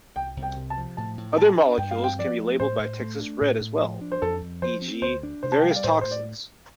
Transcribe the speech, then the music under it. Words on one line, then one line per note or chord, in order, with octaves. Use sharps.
Other molecules can be labeled by Texas Red as well, e.g., various toxins.
C2 G5
C2
G5
C3
A5
F3
A2 A5
A2
A3 A5
D4
G2 G5
F5
C4
G5
F3 D5
A3
A2 C5
A2
A3
D4
A2
A2
F3
D4
C5
F2 A4
F2
F3 C5
C4
D2 C5
D4
C3 C5
A5
G5
G3
F5
D5
A2 C5
A2 C5
D5